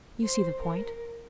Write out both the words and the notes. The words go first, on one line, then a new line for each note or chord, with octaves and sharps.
You see the point.
C5
A#4